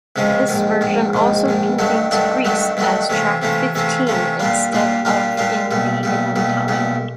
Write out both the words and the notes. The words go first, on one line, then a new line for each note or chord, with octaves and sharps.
This version also contains "Grease" as track fifteen, instead of in the hidden time.
C#2 C3 F3 G#3 C#4
A#1 G#2 D#3
A#1 G#2 D#3
A#1 G#2 D#3
A#1 G#2 D#3
G2 D#3 F#3 A3 D4
G2 D#3 F#3 A3 D4
G2 D#3 F#3 A3 D4
G2 D#3 F#3 A3 D4
C3 E3 A3 C#4 F4
C3 E3 A3 C#4 F4
C3 E3 A3 C#4 F4
C3 E3 A3 C#4 F4
A#2 G3 A#3 D4 F4
A#2 G3 A#3 D4 F4
A#2 G3 A#3 D4 F4
A#2 G3 A#3 D4 F4
B1 A#2 G3
B1 A#2 G3
B1 A#2 G3
B1 A#2 G3